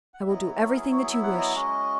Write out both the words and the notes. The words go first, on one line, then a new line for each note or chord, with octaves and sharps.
"I will do everything that you wish!"
F#5
E5
F#3 B3 E4 D#5
C#5
A#4
G#4
F#4
G#4
E5
F#5
D#5
G#3 C#4 F#4